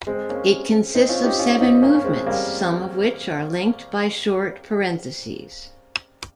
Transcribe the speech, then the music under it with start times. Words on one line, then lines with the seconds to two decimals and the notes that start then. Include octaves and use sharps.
It consists of seven movements, some of which are linked by short "parentheses".
0.07 G#3 C4
0.29 A#3 C#4
0.95 C4 D#4
1.09 C#4 F4
1.23 D#4 G4
1.39 C#4 F4
1.61 C4 D#4
1.82 A#3 C#4
1.95 C#4
2.04 G#3 C4
2.26 G3 A#3